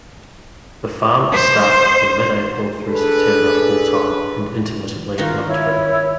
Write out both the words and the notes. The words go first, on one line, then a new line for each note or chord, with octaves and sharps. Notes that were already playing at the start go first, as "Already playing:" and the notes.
The farm is staffed from mid-April through September full-time, and intermittently in October.
C5
D4 G#4 A4 B4
D#3 D#4 F4 F#4
E4 C#5